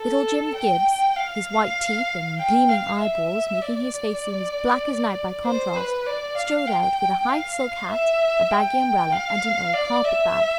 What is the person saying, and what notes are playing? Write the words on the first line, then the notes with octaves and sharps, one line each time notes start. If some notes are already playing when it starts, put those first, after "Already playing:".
Little Jim Gibbs, his white teeth and gleaming eyeballs making his face seem as black as night by contrast, strode out with a high silk hat, a baggy umbrella, and an old carpet-bag.
Already playing: A4
G5
F5
G5
F5
E5
D5
C5
B4
D5
F5
G5
F5
E5
G5
F5
D5
E5